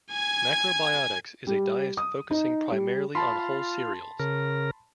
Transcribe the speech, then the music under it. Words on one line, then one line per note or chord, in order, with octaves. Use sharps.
Macrobiotics is a diet focusing primarily on whole cereals.
G#5 G#6
G3
D#6
D#4
G3
F4 A5 B5 C6
C#3 A#4